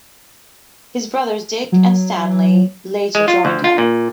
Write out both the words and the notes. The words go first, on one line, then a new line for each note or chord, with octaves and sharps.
His brothers, Dick and Stanley, later joined him.
F#3
G#3
F4
D2
F4
A#2